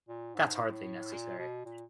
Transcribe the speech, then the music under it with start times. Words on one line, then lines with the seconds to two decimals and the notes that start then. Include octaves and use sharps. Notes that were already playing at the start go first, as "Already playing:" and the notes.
That's hardly necessary.
0.08 A#2
0.35 G#2
0.60 A2
1.13 A#2
1.39 B2
1.65 A#2